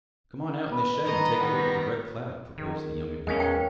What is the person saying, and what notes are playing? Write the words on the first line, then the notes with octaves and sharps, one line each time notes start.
"Come on out in the shed and take a look at the Red Cloud," proposed the young inventor.
B4
D#3 D#5 A#5
D#3 G3 B3
D#3 G#4
E2 G#3 C#4 A#4 C#5 F5
G5